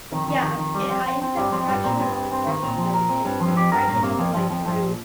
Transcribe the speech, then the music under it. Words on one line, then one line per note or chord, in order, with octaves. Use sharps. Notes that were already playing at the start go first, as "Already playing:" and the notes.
Yeah, I br and I ended up fracturing my growth plate and breaking all the way through
F2 D#3
D#3
D#3
D#3
G3
C4
C4
C4
G2 G3
F2 C4
G2 G3
A#2 C4
G2 C4
C4
C4
D#3
A#2 C4
F3
A#4
C4
G2 C4
F3
G2
F2 G4
G2 A#4
G2 A#2
C3 A#3
F2 F3
G2 F3
F2 F3
G2 F3
A#2